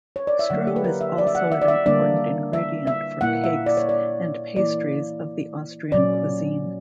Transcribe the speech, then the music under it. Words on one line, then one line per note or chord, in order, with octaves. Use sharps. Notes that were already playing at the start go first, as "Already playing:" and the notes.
Stroh is also an important ingredient for cakes and pastries of the Austrian cuisine.
C#5
D5
E5
D3 F#3 A#3 F#5
G4
B4
A#4
E5
D5
E5
F#5
E5
D5
E5
D3 G3 A#3 D4 D5
E5
E5
A#2 A#3 E4 F#5
E5
D5
C#5
D5
E3 A#3 E4 D5
A#2 F#3 C#4 D5